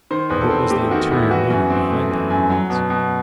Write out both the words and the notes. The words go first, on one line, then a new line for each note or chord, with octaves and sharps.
What was the ulterior motive behind that pretence?
D#3 C5
E2 B4
A4
C4
A3 G4
D#3 F#4
E2 E4
E3 F#4
F#2
C4
A3
E3
F#2
F#3
B2
B2